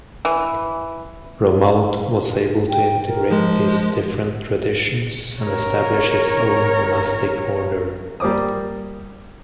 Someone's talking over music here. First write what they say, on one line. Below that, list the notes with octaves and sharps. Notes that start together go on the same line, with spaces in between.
Romuald was able to integrate these different traditions and establish his own monastic order.
E3
G5
A#4
F3 G#3
A#4 C#5
G3 A#3 C5 D6 D#6